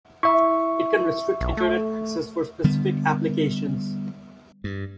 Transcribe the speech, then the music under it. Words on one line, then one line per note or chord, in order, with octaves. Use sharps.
It can restrict Internet access for specific applications.
E4 E5 C#6
B1
A3
D3 G3 B3
G2